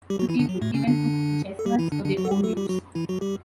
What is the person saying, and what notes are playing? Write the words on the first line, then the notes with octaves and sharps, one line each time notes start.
The people even cooked the chestnuts for their own use.
G3 G4
F#3 F#4
E3 E4
D3 D4
F#3
A2 A3
C#3 C#4
D3 D4
A4
G3 G4
E3 E4
D3 D4
D3 D4
F#3 F#4
A4
G3 G4
A3 A4
G3 G4
F#3 F#4
E3 E4
F#3 F#4
G3 G4